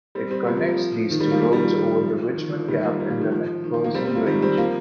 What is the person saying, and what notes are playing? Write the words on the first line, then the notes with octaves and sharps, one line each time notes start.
It connects these two roads over the Richmond Gap in the McPherson Range.
G3 C4
G3 C4
F3 A#3
F3
F3
D#3
D#3 G3
F3 A#3
F3 A#3
D#3 G3
F3
D#3
F3
D#3 G3
G3
F3 A#3
D#3 G3
F3 A#3
D#3 G3
F3
D#3
F3
F3 A#3
G3 C4
G3 C4
F3 A#3
D#3 G3
G3 C4
F3 A#3